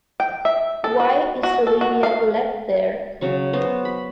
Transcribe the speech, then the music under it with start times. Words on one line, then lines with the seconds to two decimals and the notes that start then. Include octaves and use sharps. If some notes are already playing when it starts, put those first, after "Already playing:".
Why is Olivia left there?
0.20 G5
0.45 E5
0.84 A4
1.00 F#4
1.43 F#4
1.67 A4
1.81 F#4
2.03 F5
3.21 C#3 F#3 C#6
3.53 B3 F#4 C5
3.85 B5